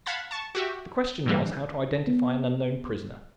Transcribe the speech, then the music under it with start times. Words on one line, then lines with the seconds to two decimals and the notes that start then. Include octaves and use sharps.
The question was how to identify an unknown prisoner.
0.06 F5 F#5 A5 B5 G#6 A6
0.31 A5 C#6
0.55 F#4 G4 E5
1.26 A2 D3 E3 G3 A#3
2.07 B3